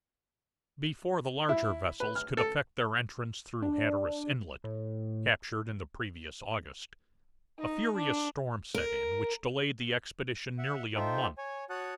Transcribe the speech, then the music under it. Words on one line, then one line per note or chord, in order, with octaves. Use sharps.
Before the larger vessels could effect their entrance through Hatteras Inlet, captured in the previous August, a furious storm set in, which delayed the expedition nearly a month.
E4
B4
F6
A4
D4
A2
D#4
D4
A#4
E5 F#5
D#4 F4 A4 C5 E5 G5
C#5 G#5
F#4 C#5 F#5 A5 D#6 F#6